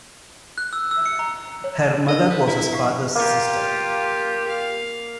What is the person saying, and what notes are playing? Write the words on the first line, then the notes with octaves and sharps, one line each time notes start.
Her mother was his father's sister.
F#6
E6
E6
C#7
A#5
C#5
D4 A#4 D#5 E6
B4
E4 B4 A#5
G4 F5 C#6
A#3 F4 G4
F5